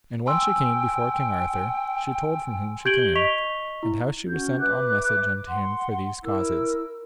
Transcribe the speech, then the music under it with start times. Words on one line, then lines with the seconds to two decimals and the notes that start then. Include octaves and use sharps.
And when she came before King Arthur, she told from whom she came, and how she was sent on message unto him for these causes.
0.27 G5 G#5 C6 E6
2.85 G4 G6 G#6 D7 F#7 G7
3.15 D#5 C#6 B6 F7 G7
3.83 E4
4.28 C#4 F#4 G6
4.59 B4 E5 D6 F#6
5.46 F#5 C6
6.22 E4 A#4 E6